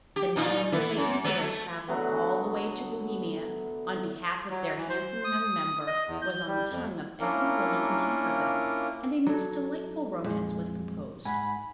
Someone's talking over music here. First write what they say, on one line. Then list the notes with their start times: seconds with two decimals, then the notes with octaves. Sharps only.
The name of the lady who had travelled all the way to Bohemia on behalf of their handsome young member was on the tongue of every woman in Tankerville, and a most delightful romance was composed.
0.16 G4
0.36 A#2 D#4 F4
0.72 E3 B3 E4
0.97 F#2
1.24 F#3 B3
1.39 A3
1.88 D3 F#3 A3 B3
4.50 F#3
4.77 E3
4.89 C5
5.24 D#6
5.87 D#5
6.07 E2
6.22 G6
6.47 G3
6.71 F2
7.21 A#3 C#4 D4 E4 F4 A#4
9.27 F#3 A4 A#5
10.24 F2 A#2 G#3
11.25 G#2 F#5 G#5 B5